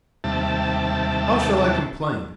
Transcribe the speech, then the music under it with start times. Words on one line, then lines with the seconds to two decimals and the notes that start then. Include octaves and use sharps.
How shall I complain?
0.24 D#2 C3 G3 E5 A5